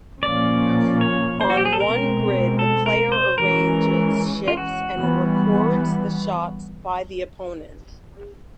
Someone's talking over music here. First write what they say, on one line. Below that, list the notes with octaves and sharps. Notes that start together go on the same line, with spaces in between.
On one grid the player arranges ships and records the shots by the opponent.
A#2 F3 A#3 C#4 D5
C#5
C5
F#4
G4
G#4
A4
B2 G#3 C4 A#4
A4
A#4
C5
E3 G#3 C#4 A#4
F4
F#4
E3 G3 B3